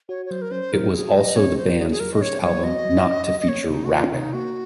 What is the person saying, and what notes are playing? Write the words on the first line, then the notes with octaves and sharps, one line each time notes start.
It was also the band's first album not to feature rapping.
F#4 C#5
C#5
F#3 C5
A#4
C#4 C5
F#3 A#4
F#4 G#4
F#3 D#5
C#4 C#5
F#3 C5
F#4 G#4
G#4
F#3 A#4
D#5
C#4 C#5
F#3 C#5
F#4 D#5
F#3
C#4
F#3
D#5
A#3 C#5
C3 D#4
F#4
D#3 F4
C3 D#4
A#3 F#4